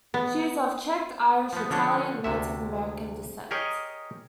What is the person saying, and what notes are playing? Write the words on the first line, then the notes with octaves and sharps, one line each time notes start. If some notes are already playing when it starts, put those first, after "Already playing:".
She is of Czech, Irish, Italian and Native American descent.
B3
F3 B3
D3 F3 D4 C#5
D2 C3 E5
G4 G#4 A#4 C#5 D#5